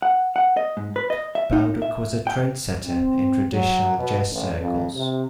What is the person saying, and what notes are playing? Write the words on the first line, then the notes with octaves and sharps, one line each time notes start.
Bauduc was a trend setter in traditional jazz circles.
F#5
F#5
D#5
G#2
B4
D#5
E5
D#4
E5
G5
C4
F#3
B2
A1
F2
C3